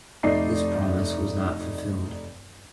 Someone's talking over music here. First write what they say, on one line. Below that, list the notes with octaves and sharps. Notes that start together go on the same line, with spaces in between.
This promise was not fulfilled.
F1 A3 D#4 D5 C7